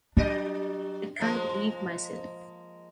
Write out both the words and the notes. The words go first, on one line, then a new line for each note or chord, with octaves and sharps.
I can’t believe myself.
F#3 D4 G4 D#5
F3 G#3 A#3